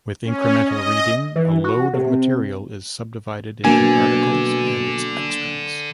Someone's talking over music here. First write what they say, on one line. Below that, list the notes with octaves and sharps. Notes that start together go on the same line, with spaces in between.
With incremental reading, a load of material is subdivided into articles and its extracts.
C#4
D#5
E3
F#4
C3
B2 D3 F#3 A#3 D4 G#5